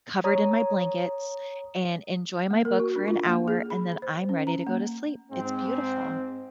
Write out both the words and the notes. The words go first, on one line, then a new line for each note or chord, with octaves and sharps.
covered in my blankets and enjoy my book for an hour, and then I'm ready to go to sleep, it's beautiful.
C#5 A#5 D#6
A#3
A#4
F#4
D4
F4
A#3
G#4
B5
C5
C#4
A#5
A#3
G#2 C4